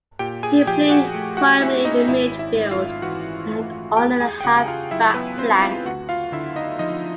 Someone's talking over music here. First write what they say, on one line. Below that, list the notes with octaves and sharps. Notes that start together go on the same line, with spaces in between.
He played primarily in midfield and on the half back flank.
A#2 G4 G5
G#4 G#5
F3 G4 G5
F#4 F#5
A3
F#4 F#5
C#4 E4 E5
D#4 D#5
G#1 E4 E5
E4 E5
G#2
F4 F5
E3 F#4 F#5
A3
E2 G4 G5
G#4 G#5
G5
C#3 F#4 F#5
F4 F5
F#3 E4 E5
B3 B4
B3 C4 C5
F4 F5
D2 F#4 F#5
F4 F5
D3 E4 E5
D#4 D#5
F3 D#4 D#5